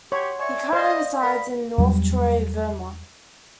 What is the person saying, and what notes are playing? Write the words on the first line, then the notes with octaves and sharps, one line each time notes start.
He currently resides in North Troy, Vermont.
G4 C#5 F#5 C6
D5 E5 G#5 C#6
C5 D5 D#5 F5 D#6
A#4 B5
E2 F#3 G3